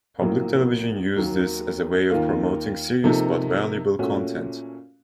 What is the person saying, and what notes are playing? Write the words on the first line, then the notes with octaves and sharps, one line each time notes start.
Public television use this as a way of promoting serious but valuable content.
A#1 A2 F#3 A#3
D#2 D#3 F#3 A#3
D#2 D#3 A#3 F4
C3 F3 A#3 D#4 A4
A#2 A3 C#4 F#4